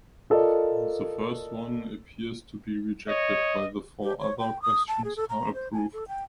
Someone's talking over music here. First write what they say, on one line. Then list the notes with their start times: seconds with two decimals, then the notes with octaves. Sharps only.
The first one appears to be rejected while the four other questions are approved.
0.30 F4 A4 A#4 D5 D#5
3.08 C#5 D#5
4.03 G4
4.20 C#5
4.39 G5
4.62 D#6
4.88 A5
5.04 G#4
5.16 A4
5.30 A#5
5.54 C5
5.73 G#5
5.93 A4
6.08 G5